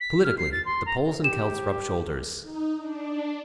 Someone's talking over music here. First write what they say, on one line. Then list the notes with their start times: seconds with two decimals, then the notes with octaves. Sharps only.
Politically the Poles and Celts rub shoulders.
0.01 B6
0.24 F6
0.38 C7
0.52 A6
0.65 C6
0.86 A#5
1.24 G4 E7
2.43 D#4
2.77 D4